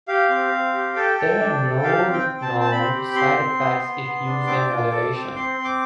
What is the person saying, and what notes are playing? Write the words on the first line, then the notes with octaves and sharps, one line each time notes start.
There are no known side-effects if used in moderation.
G4 F5
C4
C4
G4
A4 G5
A4
D4
A4
G4 F5
C4
G5
C4
A5
C4
A5
C4 B5
G4
C4 C6
C4
B3
B3
B3
D4
C4 D6
F4
A4
C4
C4 C6
C4
D6